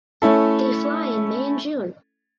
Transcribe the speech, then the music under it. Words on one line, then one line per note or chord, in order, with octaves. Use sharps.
They fly in May and June.
A3 C#4 E4 A4